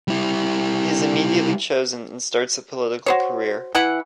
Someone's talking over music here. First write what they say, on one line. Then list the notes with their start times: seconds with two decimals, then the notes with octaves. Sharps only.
He is immediately chosen and starts a political career.
0.08 G3 E4
3.06 F#4 C5 C#5
3.75 E3 E4 F#5 B5